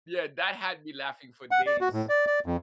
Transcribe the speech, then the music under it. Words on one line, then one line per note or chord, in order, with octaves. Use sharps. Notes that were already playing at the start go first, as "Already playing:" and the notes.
yeah, that had me laughing for days.
F#5
D5
F#4
A2
D5
D5
F2